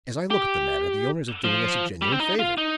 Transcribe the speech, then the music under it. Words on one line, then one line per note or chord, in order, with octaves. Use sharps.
As I look at the matter, the owners are doing us a genuine favor.
G4
F3
G3
C4
D#4
F4
D#4